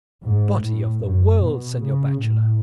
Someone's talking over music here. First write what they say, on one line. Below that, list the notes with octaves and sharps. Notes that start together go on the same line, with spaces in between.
Body of the world, senor bachelor!
G#2
A2
F#2
B2
C#3
A2